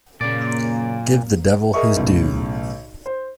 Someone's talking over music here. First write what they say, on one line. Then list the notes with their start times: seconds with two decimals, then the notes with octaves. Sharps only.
Give the devil his due.
0.21 F#2 A#2 C#3 A#3 D5
1.73 G#4 A#4 D#5 E5 C#6
1.96 B1 A2 C#3
3.06 C5